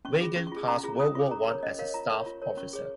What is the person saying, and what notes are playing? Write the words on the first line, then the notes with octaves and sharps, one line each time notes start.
Weygand passed World War One as a staff officer.
C#4 C#6
F4 G#4
C#4 C#6
C#6
F4 G#4
C#4 A#5
F4 G#4
C#4 D#6
F4 G#4 C#6
C#4 A#5
A#4 C#5
C#4 D#5
A#4 C#5 F5
F4 A#5
A#4 C#5 C#6
F4
A#4 C#5
C#4 C#6
G#4 C#5